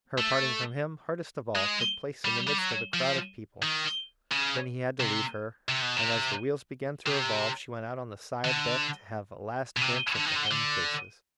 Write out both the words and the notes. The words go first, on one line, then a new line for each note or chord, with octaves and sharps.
Her parting from him, hardest of all, took place in the midst of a crowd of people; then he had to leave her, and as the wheels began to revolve she went out on the side deck to have a last glimpse of the home faces.
A3
G#3
G3
G3
F#3
F3
D#3
C#3
C3
C3
B2
C3
C3
D3
B2
C3
D3
D#3
D3
D3